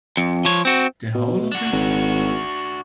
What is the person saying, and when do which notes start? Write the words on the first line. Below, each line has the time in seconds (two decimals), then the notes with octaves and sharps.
The whole of it?.
0.17 F2
0.45 F3 C#5
0.65 C4 F#4
1.14 B2
1.52 D4 F#4
1.72 G#1